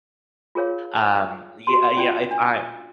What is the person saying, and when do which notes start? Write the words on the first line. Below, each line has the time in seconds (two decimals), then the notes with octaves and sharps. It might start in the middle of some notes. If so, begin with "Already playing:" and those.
um, yeah, uh, yeah, if I
0.55 F4 G#4 A#4 C#5 F5
1.67 F#4 G4 C6
1.97 C#4 F4 D5 G5
2.31 D4